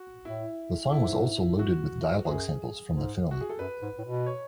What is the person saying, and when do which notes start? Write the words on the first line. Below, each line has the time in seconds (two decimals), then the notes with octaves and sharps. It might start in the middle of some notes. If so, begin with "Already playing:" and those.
The song was also loaded with dialog samples from the film.
Already playing: F#4
0.25 A2 E4
0.92 G#2 E4
1.59 F#4
2.25 F#2 G#4
2.93 G#2
3.31 F#4
3.41 G#4
3.49 A4
3.59 F#2 B4
3.82 G#2
3.98 A2
4.04 B2
4.26 C#5